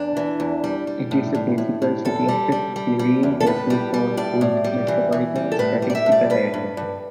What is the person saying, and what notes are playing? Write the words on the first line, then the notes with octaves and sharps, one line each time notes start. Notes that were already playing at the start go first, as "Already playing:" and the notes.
It is the principal city of the Killeen-Temple-Fort Hood Metropolitan Statistical Area.
Already playing: E2 D4
E3
E2
G3
G3
A2
A2
A2
A2
E2 A4
G3
G3
G3
G3
E2
A4
A2 B4
G3
G3
A2 D5
A2
G3
E3
E3
G3
A4
A2 B4
G3
D5
E5
A2
D5
G2 B4
G2
G2